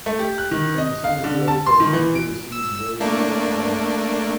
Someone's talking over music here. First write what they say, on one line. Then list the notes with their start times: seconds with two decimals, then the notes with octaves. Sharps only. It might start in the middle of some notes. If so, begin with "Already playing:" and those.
From December through April, the country receives very little rainfall.
0.06 A3
0.19 G4
0.38 F#6
0.51 D#3
0.78 D#5
1.04 F5
1.24 D3
1.48 A5
1.66 C6
1.80 D#3
1.93 E3
2.15 D7
2.52 E6
3.00 A3 A#3 D4